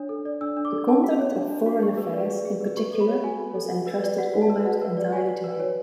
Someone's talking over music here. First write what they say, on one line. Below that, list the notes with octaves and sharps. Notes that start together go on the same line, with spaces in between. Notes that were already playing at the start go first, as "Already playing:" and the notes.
The conduct of foreign affairs in particular was entrusted almost entirely to him.
Already playing: D4 C#5
A4
D5
D4 E6
D4
D6
A4
D4 A5
F#4
C#5
D4
D4
F#4
G#4 C#6
B4
D5
G#4
G#4
B4
F#4 C#6
A4
B5
C#5
F#4 G#5
F#4
A4
F#4
B4
D5
F#4 F#5
F#4
A5
B4
F#4 F#5
B4
D5
F#4 G#5
F#4
B4
C#5